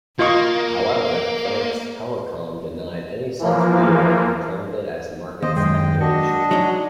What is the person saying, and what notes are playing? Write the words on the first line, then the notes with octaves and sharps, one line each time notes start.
However, France Telecom denied any such deal and termed it as market speculation.
A#3 F4 D#5 C#6
E3 F3 A#3
D#2 C5 D#5
F#2 G#3 D#5 G5
D4 F#4 D#5
F#3 G#3 D#4